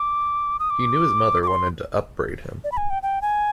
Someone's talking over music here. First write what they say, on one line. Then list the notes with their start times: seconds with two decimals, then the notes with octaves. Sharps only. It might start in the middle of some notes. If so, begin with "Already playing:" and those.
He knew his mother wanted to upbraid him.
Already playing: D6
0.59 D#6
0.70 D6
1.43 D6
1.47 C6
2.64 D5
2.72 B5
2.77 G#5
2.90 G5
3.03 G5
3.22 G#5